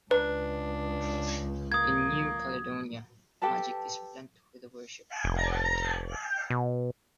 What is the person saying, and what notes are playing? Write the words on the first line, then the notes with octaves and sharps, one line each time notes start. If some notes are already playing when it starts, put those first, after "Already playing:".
In New Caledonia, magic is blent with the worship of the dead.
C#2 D4 B4
A#3 D#6 G#6
G4 A4 B4 A5
F1
B2